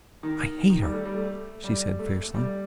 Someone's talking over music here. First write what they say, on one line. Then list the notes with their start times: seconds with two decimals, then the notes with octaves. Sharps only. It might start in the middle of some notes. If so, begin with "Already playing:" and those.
"I hate her," she said fiercely.
0.23 D#3
0.70 D#3
0.82 G3
0.93 A3
1.05 G3
1.17 A3
1.64 G3
1.99 A3
2.34 G3